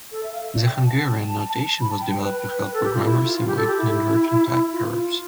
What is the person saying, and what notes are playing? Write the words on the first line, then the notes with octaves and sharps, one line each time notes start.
The Hungarian notation was developed to help programmers avoid inadvertent type errors.
A4
E5
F5
E5
D5
G5
G5
A5
B5
A5
G5
G5
B4
B4
B4
A4
G4
F4
E4
F4
F4
G4
A4
G4
E4
F4
F4